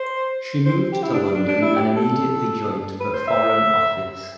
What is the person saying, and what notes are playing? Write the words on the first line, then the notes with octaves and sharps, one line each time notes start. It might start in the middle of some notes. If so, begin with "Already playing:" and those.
She moved to London and immediately joined the Foreign Office.
Already playing: C5
C5
G4
E4
D4
D4
D4
E4
G4
A4
B4
C5
E5